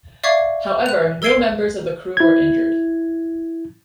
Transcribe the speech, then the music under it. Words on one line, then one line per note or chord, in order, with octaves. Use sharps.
However, no members of the crew were injured.
D5 E5 F5 C#6 D6 G#6
F#6 F7
A#4 E6 G#6 C7 D7 G7
E4 G#6